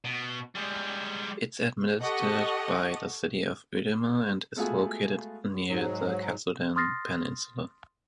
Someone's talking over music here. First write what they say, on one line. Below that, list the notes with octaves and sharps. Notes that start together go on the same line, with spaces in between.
Its administered by the city of Uruma and is located near the Katsuren Peninsula.
B2
G3 G#3
G4 A4 D#5 F#5 C#6 D#6
G#3 A3 B3 F4 F#4 G#4
G#2 F#3
C6 D#6 F6 A6 A#6 C7